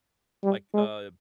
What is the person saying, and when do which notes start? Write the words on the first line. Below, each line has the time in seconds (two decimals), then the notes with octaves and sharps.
like, a
0.43 G3
0.74 G#3